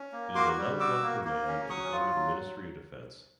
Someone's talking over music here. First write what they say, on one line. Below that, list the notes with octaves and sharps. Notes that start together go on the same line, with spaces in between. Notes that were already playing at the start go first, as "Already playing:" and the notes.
It is a Level.I command and is under the Ministry of Defence.
Already playing: C#4
A#3
F#4 C6 D6
G3
F#4 D6 E6
A#3
A#3
C#4
F#3 C#6 D#6
F4
F#3